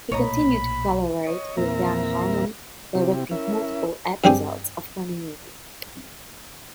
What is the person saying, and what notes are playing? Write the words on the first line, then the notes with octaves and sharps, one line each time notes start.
He continued to collaborate with Dan Harmon, directing multiple episodes of Community.
B1 A#2 A3 A#3 C#5 D#5 A#5 B5
C#5 D#5
E2 A#2 C4 A#4 E5 A#5
C3 C4 E4 G4
C#4 E4 A#4 E5
G2 G3 C4 G4 G#4 G#5